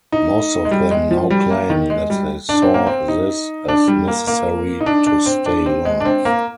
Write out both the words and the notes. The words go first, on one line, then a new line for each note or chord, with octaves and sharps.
Most of them now claim that they saw this as necessary to stay alive.
D#4
G#3
G3
G#3
F3
G3
A#3
D#3
G#3
G3
D4
C4
A#3
C4
D#4
D4
G3
A#3
A#3
D#4
D4
D4
C4
D4
C4
G#3
D4
C4
A#3